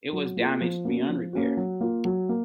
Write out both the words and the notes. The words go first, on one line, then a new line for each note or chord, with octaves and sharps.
It was damaged beyond repair.
F#3
A#3 F4 G#4
F3
A#3 C#4 F#4
F3
A#3 C#4 F#4
F#3
A#3 F4
F#3
A#3